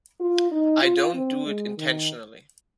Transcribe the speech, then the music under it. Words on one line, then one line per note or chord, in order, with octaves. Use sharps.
I don't do it intentionally.
F4
D#4
F4
C4
G#3
D#3